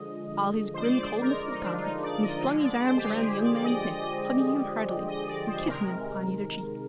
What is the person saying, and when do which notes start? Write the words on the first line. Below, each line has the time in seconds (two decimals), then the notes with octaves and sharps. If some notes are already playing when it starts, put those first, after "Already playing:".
All his grim coldness was gone, and he flung his arms around the young man's neck, hugging him heartily, and kissing him upon either cheek.
Already playing: D3 F3 G#3 D#5
0.74 C5
0.81 D5
1.01 C5
1.22 A#4
1.50 D#4
1.61 D4
1.73 F4
1.82 D#4
2.03 D5
2.23 D#5
2.42 D3 F3 G#3 D#5
2.63 D5
2.83 C5
2.97 G4
3.04 G#4
3.44 D5
3.64 D#5
3.85 D#5
5.07 D#5
5.26 D5
5.47 C5
5.61 C5
5.67 C3 D#3 G#3 A#4